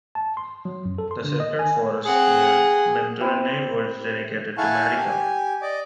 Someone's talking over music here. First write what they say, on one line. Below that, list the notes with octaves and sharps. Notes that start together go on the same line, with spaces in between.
The sacred forest near Minturnae was dedicated to Marica.
A5
C6
F#3
F#2
A4
C6
D3
D#5
G#5
C4 G#4 F#5
C4 E4 G4 C6
E4 F5 F#5 G#5 A5 C#6
G4 G#5
D5 D#5 D6